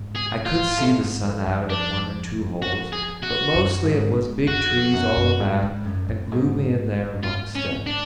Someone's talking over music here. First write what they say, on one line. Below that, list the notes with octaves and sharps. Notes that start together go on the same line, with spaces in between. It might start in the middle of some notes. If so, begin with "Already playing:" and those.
I could see the sun out at one or two holes, but mostly it was big trees all about, and gloomy in there amongst them.
Already playing: G#2
G#4
F4
A2
G#2
F2
F2
D4
F#4
G#4
F#4
F#2
G#2
G#2
F#2 F#4
F2
F#2
F#2
G#2
G#2
F#2
F#2
G#2
F4
C#4
D4